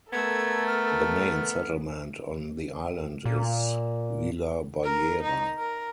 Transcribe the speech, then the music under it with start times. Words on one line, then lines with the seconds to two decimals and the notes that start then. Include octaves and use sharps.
The main settlement on the island is Vila Baleira.
0.12 A3 B3 A4 A#4 G#6
0.67 F6
3.25 A#2
4.84 A#4
5.23 D#4
5.58 A#4